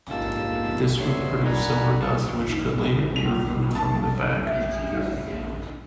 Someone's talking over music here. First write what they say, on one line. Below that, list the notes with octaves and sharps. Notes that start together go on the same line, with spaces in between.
This would produce silver dust, which could later be removed from the bag.
G#2 A#3 F4 G4 A5 E6
D3 B3 C#5 E5 C6
A#4 D5 F#5 G#5 A#5 B5
F4 G#4 A5 C#6
F7
A5
E5